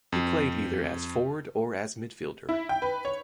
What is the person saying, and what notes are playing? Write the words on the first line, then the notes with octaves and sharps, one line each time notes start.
He played either as forward or as midfielder.
F2
E4
G5
B4
C#5